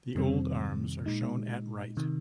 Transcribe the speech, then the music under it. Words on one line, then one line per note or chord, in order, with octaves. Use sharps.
The old arms are shown at right.
F2 C3 D#3 G3 C4
A#2 G#3 D#4
C3 D#3